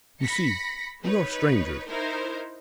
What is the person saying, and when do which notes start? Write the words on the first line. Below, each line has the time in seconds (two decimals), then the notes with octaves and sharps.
"You see, we are strangers."
0.22 B5 A#6 B6 C#7
1.02 D#4 B4 C#5
1.87 D#4 E4 A#4 C5